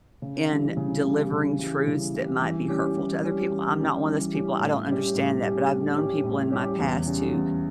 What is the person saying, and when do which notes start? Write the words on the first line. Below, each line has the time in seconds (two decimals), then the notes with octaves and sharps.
in delivering truths that might be hurtful to other people; I'm not one of those people, I don't understand that, but I've known people in my past who
0.22 C#3
0.50 E3 G3
0.77 C#3
1.05 E3 G3
1.32 C#3
1.59 E3 G3
1.87 C#3
2.15 E3 G3
2.42 E3
2.68 G3 C#4 G4
2.97 E3
3.23 G3 C#4 G4
3.50 E3
3.78 G3 C#4 G4
4.05 E3
4.33 G3 C#4 G4
4.60 A2
4.88 G3 C#4 G4 C#5
5.15 A2
5.42 G3 C#4 G4 C#5
5.70 A2
5.97 G3 C#4 G4 C#5
6.24 A2
6.52 G3 C#4 G4 C#5
6.79 E2
7.06 C#3 G3 C#4
7.33 E2